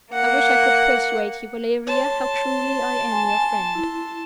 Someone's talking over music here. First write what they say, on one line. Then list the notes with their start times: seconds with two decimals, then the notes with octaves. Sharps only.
I wish I could persuade you, Valeria, how truly I am your friend.
0.12 A#3 F#5
1.87 C#5 A5 C6
3.12 G#5
3.75 E4